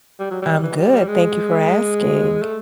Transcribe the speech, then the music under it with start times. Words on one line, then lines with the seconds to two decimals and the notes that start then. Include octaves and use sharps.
I'm good, thank you for asking.
0.20 G3
0.31 F#3
0.42 G3
0.63 E3
0.78 G3
0.93 G3
1.08 G#3
2.42 A3